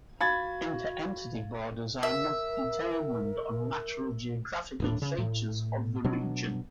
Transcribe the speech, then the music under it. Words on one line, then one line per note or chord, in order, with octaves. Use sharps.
Inter-entity borders are not determined on natural geographical features of the region.
F#4 F5 B5 G#6 A6
A#4 E5
D#1 A2 D4
C#3
A2
B2 F#3 D4